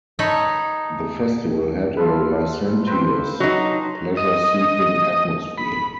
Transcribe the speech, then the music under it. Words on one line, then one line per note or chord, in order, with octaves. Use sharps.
The festival had a licentious, pleasure-seeking atmosphere.
D#4 A4 C#5 B5
F4 A4 B4
C4 B4 C5
F#3 D#4
D#5
B5